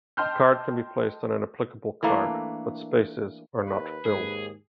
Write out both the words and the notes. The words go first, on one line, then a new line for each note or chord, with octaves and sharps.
A card can be placed on an applicable card, but spaces are not filled.
D#5 G5 A5 C6 F6 G6
E3 A3 A#3 D4
D#2 B4
D#2 G#2 G#4